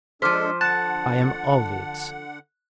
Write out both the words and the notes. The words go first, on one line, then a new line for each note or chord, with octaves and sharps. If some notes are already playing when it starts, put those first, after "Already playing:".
I am of it.
F3 G#3 D4 A4 C5 D6 F6 B6
D3 F#5 A5 F#6